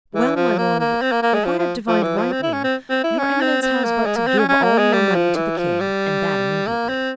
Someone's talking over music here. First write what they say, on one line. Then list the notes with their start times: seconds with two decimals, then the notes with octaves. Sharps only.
"Well, my lord, if I have divined rightly, your eminence has but to give all your money to the king, and that immediately."
0.15 E3
0.36 F3
0.58 A#3
0.80 A#3
1.02 C4
1.12 A#3
1.23 A#3
1.35 G#3
1.45 F3
1.59 F3
1.88 F3
2.03 E3
2.18 F3
2.32 C4
2.43 E4
2.53 C#4
2.64 C4
2.90 C4
3.04 E4
3.19 C#4
3.41 C4
3.62 C4
3.84 A#3
4.06 G#3
4.17 A#3
4.27 C4
4.39 C#4
4.49 C#4
4.63 A#3
4.78 G#3
4.93 G3
5.15 F3
5.36 E3
5.58 F3
5.80 G3
6.67 A#3
6.89 C4